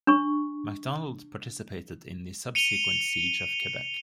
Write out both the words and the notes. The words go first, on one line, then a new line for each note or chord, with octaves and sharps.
MacDonald participated in the subsequent siege of Quebec.
D4 C#6
C#7 D#7 F7 G7